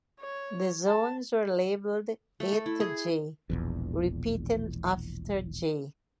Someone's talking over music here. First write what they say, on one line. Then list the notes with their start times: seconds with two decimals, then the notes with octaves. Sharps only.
The zones were labelled A to J, repeating after J.
0.21 C#5
0.87 A5
2.40 A3
2.53 A4
2.66 E4
2.80 G#4
3.50 E1 A#1 E2